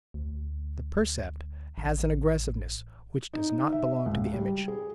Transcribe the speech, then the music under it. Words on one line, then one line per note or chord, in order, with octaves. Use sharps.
The percept has an aggressiveness which does not belong to the image.
D2
A1
D#4
E5
C#2
G3
G#4